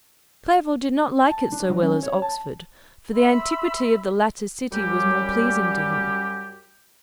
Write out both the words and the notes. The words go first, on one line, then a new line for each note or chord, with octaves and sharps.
Clerval did not like it so well as Oxford, for the antiquity of the latter city was more pleasing to him.
A5
D4
F#3
C#4
C#5
A5
E5 B5 C6 E6
F#2 G3 G4